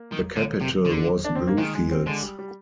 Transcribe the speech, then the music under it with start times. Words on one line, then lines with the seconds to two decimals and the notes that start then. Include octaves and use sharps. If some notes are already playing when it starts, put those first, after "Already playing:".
The capital was Bluefields.
Already playing: A#3
0.12 D#3
0.36 D3
0.61 C3
0.85 D3
1.25 D4
1.35 C4
1.47 A#3
1.58 D#3 G#3
1.75 G#3
1.91 C4
2.06 D3 G#3
2.22 G3
2.39 G3